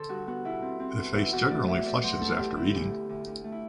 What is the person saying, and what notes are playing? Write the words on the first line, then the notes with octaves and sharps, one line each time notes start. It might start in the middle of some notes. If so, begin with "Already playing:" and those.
The face generally flushes after eating.
Already playing: D3 A4 C5
G2 F#4
B3 F#4
B2 E4
C4
C4
B2 F#4
E2 E4
E2 F#4
A3 D5
E2 E5
E2 D5
F#3 C5
A3 A4
E2 G4
D3 E4
D2
D2
D2
D2
A3
E4